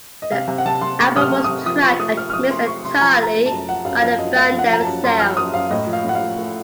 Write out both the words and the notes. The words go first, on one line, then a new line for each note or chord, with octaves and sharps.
The album was tracked and mixed entirely by the band themselves.
D#5
C3 F5
C3
F#5
C3 A5
C3 C6
A3 C#6
C3 D#6 F6
C3
C3 D#6
F3 D#6
F3 C#6
A3 D#6
A3 F6
F6
F3 D#6
A3 C6
A3 C#6
C3 C6
F3 A#5
A3
A#5
A3
A5
F#2
F3 F#5
F#2 F5
F3 F5
F#2 D#5
A3 F5
F3
F#5
F3 A#5
A5
F#2
F#2 C6
F3 F6
F#2 D#6
F#2 F5
A2 D#5
F3
F5
A2 F#5
F5
F3
A3